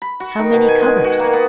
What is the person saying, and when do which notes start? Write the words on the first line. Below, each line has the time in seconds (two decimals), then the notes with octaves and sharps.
"How many covers?"
0.02 B5
0.20 F#4
0.39 D#3
0.53 B2
0.68 G#5
0.81 G#3
1.04 F#4
1.20 A#3
1.33 B3